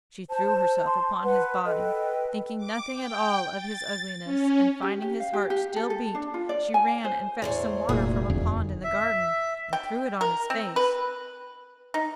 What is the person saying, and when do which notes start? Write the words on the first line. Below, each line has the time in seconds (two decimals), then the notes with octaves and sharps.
She threw herself upon his body, thinking nothing at all of his ugliness; and finding his heart still beat, she ran and fetched some water from a pond in the garden, and threw it on his face.
0.29 C5 A5
0.85 A5 C6
1.23 B4 F#5
1.65 A4 B4 D#5 G5
2.57 D6
2.91 G5
3.55 A6
4.24 C#4
4.82 G4
5.02 G4
5.20 F5
5.33 G4
5.50 G4
5.76 A4
5.90 A4
6.15 D4
6.34 F4
6.49 D5
6.74 G#5
7.05 C5
7.42 E2 A2 C5
7.89 F1 D2 A#2 D#3 G#4
8.30 E1 F2 D3
8.84 E5
9.73 G5
10.21 A#4
10.50 C4
10.76 B4
11.94 D#4